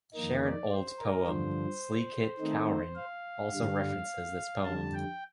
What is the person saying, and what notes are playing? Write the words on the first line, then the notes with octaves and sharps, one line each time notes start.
Sharon Olds's poem "Sleekit Cowrin'" also references this poem.
F2 D#3 A#3 D#4
D5
C5
A#4
G2 D3 F3 C5
D#3 A3 C4 D#4
F5
G2 D3 G3
F2 D3 G3 A5
G5